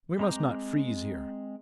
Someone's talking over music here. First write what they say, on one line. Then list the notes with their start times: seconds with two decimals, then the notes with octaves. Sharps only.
"We must not freeze here."
0.19 G#3 C4 A#5 D6 G6